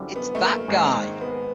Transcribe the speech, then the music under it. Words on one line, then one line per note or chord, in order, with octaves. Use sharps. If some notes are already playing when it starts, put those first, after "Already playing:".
It's That Guy!
Already playing: F#2 D3 G3 C4 E4
B3
A3
A#3
G#2 D#3 G#3 C4
B3